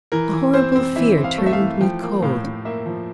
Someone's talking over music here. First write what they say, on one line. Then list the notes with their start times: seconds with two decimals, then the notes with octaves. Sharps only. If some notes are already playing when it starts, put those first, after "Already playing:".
A horrible fear turned me cold.
0.12 E3 A#4
0.33 E3
0.54 C4 C5
0.76 C4
0.96 E3 E5
1.18 C4
1.24 F5
1.38 A3
1.46 E5
1.53 F5
1.60 E3
1.81 F3 G5
2.02 A#3
2.22 A2 F5
2.44 A2
2.65 A#3 E5
2.86 F3